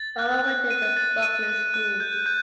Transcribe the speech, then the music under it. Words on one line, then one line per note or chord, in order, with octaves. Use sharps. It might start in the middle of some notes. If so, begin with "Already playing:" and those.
Farrar went to The Buckley School.
Already playing: A6
F#6
F#6
D#7
A6
D#7
F#6
F#6
G6
G6